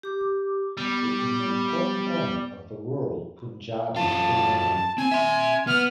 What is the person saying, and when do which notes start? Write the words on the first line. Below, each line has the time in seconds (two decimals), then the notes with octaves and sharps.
It is an important element of the rural Punjabi cuisine.
0.03 G4 D6
0.77 G3 B3
3.96 F#2 F4 A5
4.98 C4 G#5
5.11 E5 C6
5.67 B3 F6